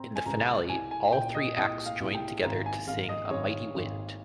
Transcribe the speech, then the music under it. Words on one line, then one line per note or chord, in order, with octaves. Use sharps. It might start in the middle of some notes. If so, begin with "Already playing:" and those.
In the finale, all three acts join together to sing A Mighty Wind.
Already playing: C4 A#5
G#5
C#2 A#5
C2 G#5
G#5
A#2 G5
D#5
C2 D#5
F5
C2
G5
G#1 A#5
G#5
G#1 F5
D#5
G#1 C#5
G#1